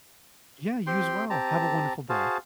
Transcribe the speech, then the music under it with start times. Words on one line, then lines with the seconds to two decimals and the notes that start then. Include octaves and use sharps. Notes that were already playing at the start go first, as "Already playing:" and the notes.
Yeah, you as well. Have a wonderful day.
0.87 C4 G4 G5 C6
1.30 C4 G4 A5 A#5
2.09 F#4 G#4 C5 F5 A5